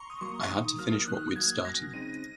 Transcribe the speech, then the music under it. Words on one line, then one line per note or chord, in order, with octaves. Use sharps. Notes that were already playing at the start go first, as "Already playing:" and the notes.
I had to finish what we'd started.
Already playing: A#5 C6 C#6
D#6
F#3 A#3 C#6
D#3 D#6
F#3 A#3 F6
D#3 F#6
F#3 A#3 G#6
F#2 A#6
C#3 G#3 C4 D#4 D#7